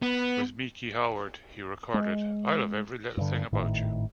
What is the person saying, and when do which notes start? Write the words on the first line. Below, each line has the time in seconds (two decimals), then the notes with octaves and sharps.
With Miki Howard he recorded "I Love Every Little Thing About You".
0.02 B3
1.94 G#3
3.17 G2 D3
3.53 G#1 A2 D#3